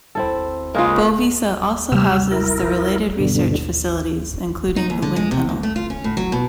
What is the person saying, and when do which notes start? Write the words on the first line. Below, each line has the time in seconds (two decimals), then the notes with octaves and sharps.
Bovisa also houses the related research facilities, including the wind tunnel.
0.15 C4 E4 A4
0.75 C#3 G#3 A#3 F4
1.92 C3 G3 G4 E6 F6
2.31 E4 A#4
3.18 G2 B2 D3
4.76 D#4
4.90 D#2
5.02 D3
5.16 G#3
5.32 C3
5.49 D2
5.63 A3
5.76 F4
5.90 C#4
6.04 A2
6.17 F#3
6.32 B2